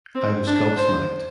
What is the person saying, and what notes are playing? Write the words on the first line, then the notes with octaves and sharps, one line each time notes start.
I was gobsmacked.
C4
D4
C5